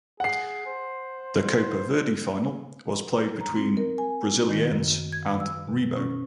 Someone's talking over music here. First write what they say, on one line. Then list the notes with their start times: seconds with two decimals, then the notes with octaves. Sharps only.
The Copa Verde final was played between Brasiliense and Remo.
0.20 G#4 F#5 C7
0.67 C5
3.41 A#5
3.56 C4
3.77 A#4
3.98 G#5
4.49 D#3
4.69 F#2
5.13 G#6
5.40 E6
5.67 B2
5.97 C#4